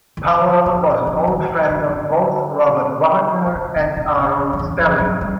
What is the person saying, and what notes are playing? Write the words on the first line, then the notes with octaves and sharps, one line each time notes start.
Powell was an old friend of both Robert Wagner and Aaron Spelling.
E3
D#3
F3
F3
D#3
E3
D#3
D3
D3
C#3
C3
C3
C#3
D3
F3
E3
F3
F#3
G3